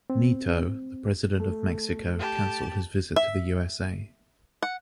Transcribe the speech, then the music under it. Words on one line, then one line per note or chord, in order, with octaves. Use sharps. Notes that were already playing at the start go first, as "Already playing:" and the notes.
Nieto, the president of Mexico, cancelled his visit to the USA.
C4
A3
G4 A5
E5
F#5